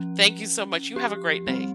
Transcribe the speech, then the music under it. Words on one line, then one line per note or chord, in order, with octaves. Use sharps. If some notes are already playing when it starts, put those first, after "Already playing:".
Thank you so much. You have a great day.
Already playing: F3 C#4
G4
G3 C4